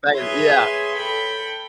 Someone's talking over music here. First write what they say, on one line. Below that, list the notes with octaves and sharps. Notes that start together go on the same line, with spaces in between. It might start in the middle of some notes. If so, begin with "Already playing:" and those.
Right, yeah.
G#4 B4 C#5 E5 C6
A4 G5 B5